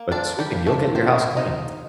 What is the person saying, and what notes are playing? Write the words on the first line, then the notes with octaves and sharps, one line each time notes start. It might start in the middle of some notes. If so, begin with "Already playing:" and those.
But sweeping, you'll get your house clean.
Already playing: A#3
F3 D4 D5
F3
G3 G4
A#3
A3 A4
F3
A#3 C4 C5
A#3
F3 D#4 D#5
F3